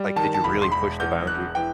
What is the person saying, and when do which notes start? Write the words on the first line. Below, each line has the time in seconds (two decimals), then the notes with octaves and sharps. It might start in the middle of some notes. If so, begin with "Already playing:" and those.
Like, did you really push the boundary?
Already playing: G3
0.16 D#3 A5
0.34 A5
0.44 E1 B5
0.62 C6
0.72 E1 B5
1.00 E2 G6
1.27 E1 F#6
1.55 E3 G5